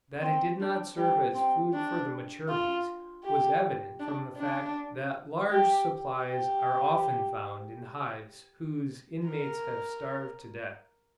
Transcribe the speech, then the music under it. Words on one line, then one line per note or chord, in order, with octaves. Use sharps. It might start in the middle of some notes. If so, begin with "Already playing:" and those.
That it did not serve as food for the mature bees, was evident from the fact that large supplies are often found in hives whose inmates have starved to death.
C4
D4
G3
C4
D4
F4
G4
D4
D4
G4
G4
A#4